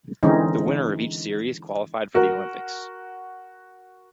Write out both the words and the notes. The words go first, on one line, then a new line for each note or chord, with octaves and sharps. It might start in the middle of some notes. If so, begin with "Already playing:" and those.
The winner of each series qualified for the Olympics.
D3 E3 G#3 C4 C#4 D#4
F#4 A#4